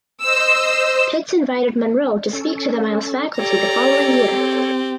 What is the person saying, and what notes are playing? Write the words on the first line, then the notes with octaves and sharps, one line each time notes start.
Pitts invited Monro to speak to the Miles faculty the following year.
C5 D#5 E6
C#4 A4
G4 A4 C#5 D5 A#5
C4